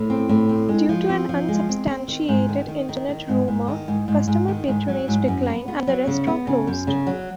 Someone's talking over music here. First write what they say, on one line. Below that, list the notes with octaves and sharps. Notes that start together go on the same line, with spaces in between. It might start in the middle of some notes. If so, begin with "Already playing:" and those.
Due to an unsubstantiated internet rumor, customer patronage declined and the restaurant closed.
Already playing: A2
C4
A2
C4
G#3
F3
C4
F3
G#3
C4
C4
D#3
G#2
D#3
D#3
D#3
D#3
G#2
G#2
D#3
G#2
G#2
G#2
D#3
G#2
F#3
G#2
F#2
B3
B3
F#3
C#3
B3
C#3
F#2
C#3
F#3